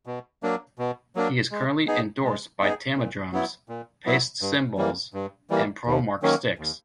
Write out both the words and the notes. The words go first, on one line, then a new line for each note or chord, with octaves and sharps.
He is currently endorsed by Tama drums, Paiste cymbals and Pro-Mark sticks.
B2
F#3 A#3 D4
B2
F#3 A#3 D4
G#3
B3 D#4 G#4
G#3
B3 D#4 G#4
A#2
F#3 B3 E4
A#2
F#3 B3 E4
G2
E3 G3 A#3
G2
E3 G3 A#3
D#2
D#3 F#3 A#3 C#4
D#2